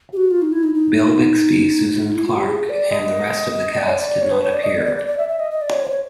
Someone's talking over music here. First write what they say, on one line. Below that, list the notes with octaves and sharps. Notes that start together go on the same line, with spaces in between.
Bill Bixby, Susan Clark, and the rest of the cast did not appear.
G4
F#4
F4
D#4
E4
D#4
D#4
D#4
E4
F4
G4
G#4
D5
D#5
D5
C#5
D5
C#5
B4
C#5
D5
D#5
D5
D5
D5
D5
E5
E5
D#5
D#5
D5
C#5
C5
C#5